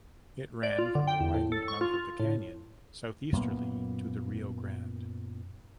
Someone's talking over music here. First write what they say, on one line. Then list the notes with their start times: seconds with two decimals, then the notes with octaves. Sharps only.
It ran from the widened mouth of the canyon southeasterly to the Rio Grande.
0.63 D5
0.79 F4
0.95 D3
1.07 G5
1.20 E2
1.34 A2
1.52 A4
1.68 C#6
1.81 F4
1.94 F4
2.20 A2
3.32 F#2 A#2 A#3 B3